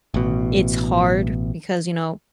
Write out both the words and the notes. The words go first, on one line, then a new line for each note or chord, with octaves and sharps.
mm, it's hard because, you know,
A1 B2